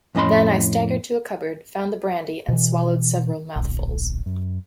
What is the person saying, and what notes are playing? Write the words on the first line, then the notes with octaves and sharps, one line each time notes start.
Then I staggered to a cupboard, found the brandy and swallowed several mouthfuls.
F2 A2 C#4 D#5 B5 C6
B2 E3
D1 A#1
F#2